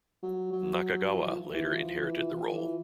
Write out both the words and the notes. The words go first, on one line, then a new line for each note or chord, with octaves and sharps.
Nakagawa later inherited the role.
F#3
F#3
F3
E3
F3
E3
F3
E3
F3
E3